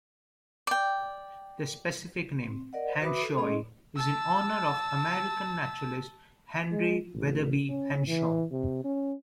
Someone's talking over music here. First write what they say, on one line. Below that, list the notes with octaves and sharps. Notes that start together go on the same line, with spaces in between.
The specific name, "henshawi", is in honor of American naturalist Henry Wetherbee Henshaw.
D5 G5
C4
A#4 D5 D#5 F#5
C5
F#4 B4 E5 B5 D6 D#6
A4
G#3 C#4 G#4 D#5 C6
A5 E6
G#3
A1
C#4
E3
C3
C#4